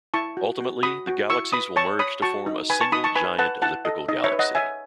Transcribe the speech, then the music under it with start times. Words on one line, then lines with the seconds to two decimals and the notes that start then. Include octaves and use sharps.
Ultimately, the galaxies will merge to form a single giant elliptical galaxy.
0.14 E4 A5 C#6
0.37 F#4
0.61 F#4
0.83 F#4 B5 D#6
1.07 F#4
1.30 E4 C#6 E6
1.53 B4 B5 D#6
1.76 C#5 A5 C#6
1.99 C#5 B5 D#6
2.22 F#4 A5 C#6
2.46 D#4
2.70 B4 G#5 B5
2.81 A5 C#6
2.92 D#4 B5 D#6
3.04 A5 C#6
3.15 B4 G#5 B5
3.39 B4 F#5 A5
3.62 E4 F#5 A5
3.85 A4 D#5
4.08 D#4 D#5
4.24 C#5 E5
4.32 B4
4.39 D#5 F#5
4.55 C#5 E5 G#5